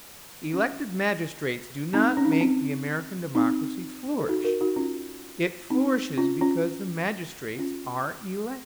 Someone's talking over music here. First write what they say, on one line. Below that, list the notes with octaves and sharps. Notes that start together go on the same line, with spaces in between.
Elected magistrates do not make the American democracy flourish; it flourishes because the magistrates are elective.
C#4
C4 D#4
C#4
D#4
C#4
C4
C4 D#4
A4
D#4 F#4
F#4 A#4
D#4 F#4
C#4 F4
C4 D#4
C#4 F4
C#4 F4
C#4 F4